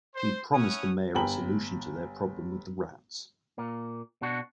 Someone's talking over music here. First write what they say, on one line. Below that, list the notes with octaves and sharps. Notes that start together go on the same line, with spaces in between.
He promised the mayor a solution to their problem with the rats.
C5
A3 C#4 E4 C#5 F#5 D#6
G1 G5 G#5 A#5 B5 F#7
A#2 A#3
B2 D4 F#4